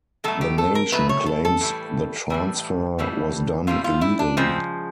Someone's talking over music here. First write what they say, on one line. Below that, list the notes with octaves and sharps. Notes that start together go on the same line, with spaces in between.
The Nation claims the transfer was done illegally.
B2 F#3 A3 A4
G4
A4
A#4
B2 F#3 A3 B4
C#5
A4
A4
A2 E3 G3
A2 E3 G3
A2 E3 G3
A2 E3 G3 F4
F4
E4
D4
C#3 F3 G#3 C4